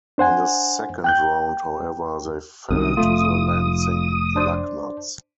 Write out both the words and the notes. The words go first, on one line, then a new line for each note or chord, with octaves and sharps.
In the second round, however, they fell to the Lansing Lugnuts.
D4 C5 F#5 G#5
G5 F#6 G6
C2 C3 D#3 D#6
F1 A3 F4
D4 C5 D5